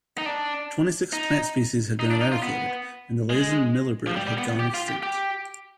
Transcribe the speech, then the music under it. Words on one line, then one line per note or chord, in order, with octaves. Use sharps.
Twenty-six plant species had been eradicated, and the Laysan millerbird had gone extinct.
D#4
D4
D#4
D#4
D4
D#4
F4
B3
G#3
F3
G3
G3
B3
G4
F4
G4
G4